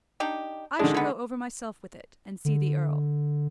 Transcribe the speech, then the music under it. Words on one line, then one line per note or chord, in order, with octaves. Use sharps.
I shall go over myself with it, and see the earl.
D4 D#4 G4
D3 D#3 G#3 D4
B3 D#4
D3